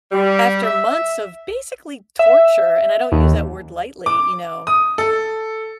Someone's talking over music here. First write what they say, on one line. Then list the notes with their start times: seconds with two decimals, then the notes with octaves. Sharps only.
After months of basically torture, and I don't use that word lightly, you know,
0.12 G3
0.64 E5
2.19 E5
3.12 D#2
4.06 D6
4.67 D#6
4.98 A4